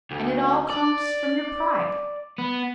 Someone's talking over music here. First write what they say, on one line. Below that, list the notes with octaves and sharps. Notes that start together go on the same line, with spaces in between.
And it all comes from your pride.
D2
D5
B3